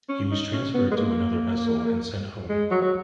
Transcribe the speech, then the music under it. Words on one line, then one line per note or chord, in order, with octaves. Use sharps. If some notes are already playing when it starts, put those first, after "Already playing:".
He was transferred to another vessel, and sent home.
C#4
D#4
C#4
B3
G#3
A#3
G#3
F#3
F#3